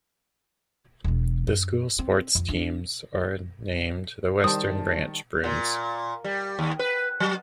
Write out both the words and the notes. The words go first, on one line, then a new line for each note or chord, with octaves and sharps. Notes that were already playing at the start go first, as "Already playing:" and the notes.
The school's sports teams are named the Western Branch Bruins.
E1 G#3
F#2
C4
F2
D4 F4
D#3 G3 C5 A5 D#6
A#2
G3
D#2
B4
F#3